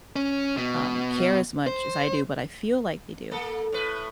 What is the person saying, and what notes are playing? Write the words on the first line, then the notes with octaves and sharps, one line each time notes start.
um, care as much as I do, but I feel like they do.
C#4
B2
C5
A#3 A4
A2 B4